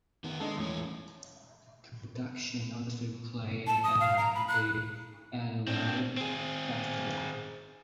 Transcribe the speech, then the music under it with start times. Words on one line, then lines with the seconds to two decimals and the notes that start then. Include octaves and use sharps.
The production also played at the Adelaide Festival.
0.24 D#3 B3
0.40 G#3 D4 D#4 A4
0.57 E2 A2 C#4
3.67 A5
3.84 D#6
4.00 F5
4.18 A#5
4.35 B5
4.48 F#6
5.68 C4 D4
6.17 C4 G#4